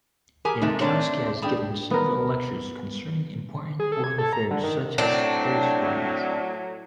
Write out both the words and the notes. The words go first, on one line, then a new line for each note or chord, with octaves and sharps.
Jankowski has given several lectures concerning important world affairs such as the Paris riots.
G4 G#4 A#4 G#5
C3 G#3 A3 D#4
A3 C4 D4 C#5
D4 G#4 A4 G5 B5
B3 A#4
G#4
A4
G#6
A4
A#5
D3
D#3
A2 F#3 C4 D4